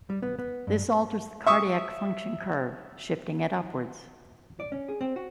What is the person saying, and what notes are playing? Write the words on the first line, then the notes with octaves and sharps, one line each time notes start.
This alters the cardiac function curve, shifting it upwards.
G3
B3
B3
G2
E5 C#6 D#6
D5
C#4
G#4
C4
F#4